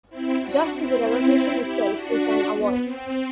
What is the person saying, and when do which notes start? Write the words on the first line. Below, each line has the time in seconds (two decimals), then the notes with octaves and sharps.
Just the recognition itself is an award.
0.09 C4 E4
0.40 D4 F#4
0.70 C4 E4
0.99 C4 E4
1.60 E4 G4
1.91 D4 F#4
2.51 B3
2.81 C4